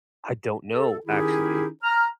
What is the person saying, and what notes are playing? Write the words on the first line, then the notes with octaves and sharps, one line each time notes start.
I don't know, actually.
A4
D#3 C#4 D#4 E4 G4 G#4
A#5 F6